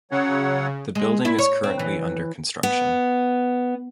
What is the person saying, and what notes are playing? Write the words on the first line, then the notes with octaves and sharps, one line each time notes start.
The building is currently under construction.
C#3 F#3 C#5 F#5
G#3
E4
C#5
C4
E3
B3